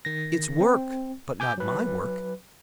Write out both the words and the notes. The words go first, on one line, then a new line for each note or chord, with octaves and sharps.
It's work--but not my work.
D#3 A#6
C4
G#5 D6 G6
F#3 B4